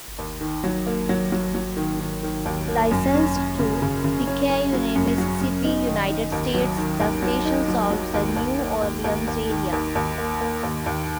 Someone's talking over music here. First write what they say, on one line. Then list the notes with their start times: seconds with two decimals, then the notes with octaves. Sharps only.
Licensed to Picayune, Mississippi, United States, the station serves the New Orleans area.
0.18 D#2
0.41 D#3
0.64 F#3
0.86 A#3
1.09 F#3
1.32 F#3
1.55 F#3
1.77 D#3
2.00 D#3
2.23 D#3
2.45 D#2
2.68 A#3
2.91 F#2
3.14 C#4
3.36 C#4
3.59 C#3
3.82 C#3
4.04 C#3
4.27 C#4
4.50 C#4
4.73 F#3
4.96 F#2
5.18 F#3
5.41 F#2
5.64 D#4
5.86 D#3
6.09 D#4
6.32 D#2
6.54 F#3
6.77 D#3
7.00 D#2
7.22 F#3
7.45 D#4
7.68 F#3
7.91 F#3
8.14 D#2
8.36 D#2
8.59 A#3
8.82 D#2
9.04 D#2
9.27 D#2
9.50 D#3
9.72 D#2
9.95 D#2
10.18 A#3
10.41 A#3
10.63 D#2
10.86 D#2